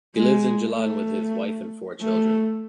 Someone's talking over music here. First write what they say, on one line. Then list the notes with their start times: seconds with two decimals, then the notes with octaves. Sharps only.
He lives in Gjilan with his wife and four children.
0.16 G#3
0.63 A3
2.01 A3